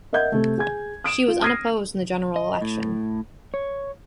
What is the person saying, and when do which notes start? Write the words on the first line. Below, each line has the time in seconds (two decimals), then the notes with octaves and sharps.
She was unopposed in the general election.
0.13 A#4 D#5 E5 F#5 G6 G#6
0.32 C3 A3
0.58 G#4 G#5 G#6
1.04 D#6 D7 E7
1.28 F4
1.42 D#6 F6 G#6 A#6 C7 D#7
2.36 D#5
2.61 A2
3.54 C#5